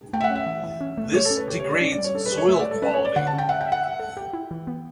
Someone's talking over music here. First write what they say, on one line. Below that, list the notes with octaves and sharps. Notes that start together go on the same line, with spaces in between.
This degrades soil quality.
A3 G5
E5
F#5
C#4
E5
E3
E3
C#4
A3
G4 C#5
A4
C#4
B4
G4 C#5
C#5
G4
D5
C#4 D5
D5
G3
C#5
D4 A4
B4
G4
C#5
A3 E5
D5
B4
A4
C#4 B4
C#5
C#4
D5
D3 F#5
A5
C#4
G5
E5 F#5
G5
E5
F#5
E5
A4
G4 G5
E4
E3
B3